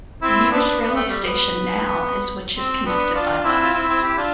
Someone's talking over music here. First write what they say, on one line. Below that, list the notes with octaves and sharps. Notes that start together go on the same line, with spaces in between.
The nearest railway station now is which is connected by bus.
C4 E4
B3 D4
B3
A3
G3
B3
C4
B3 D4
D4 F4
C4 E4
F4
C4 E4
C4 E4
E4 G4
D4 F4